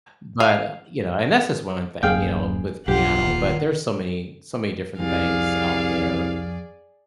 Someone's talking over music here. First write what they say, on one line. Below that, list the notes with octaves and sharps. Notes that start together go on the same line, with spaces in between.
but, uh, you know, and that's just one thing, you know, with piano, but there's so many so many different things out there,
F5
D1 F#2 A#3 G#4 F5 G5
B1 G2 A#3 F4 G4 F#5
D#1 D#2
C2 F2 G#4 D5 F5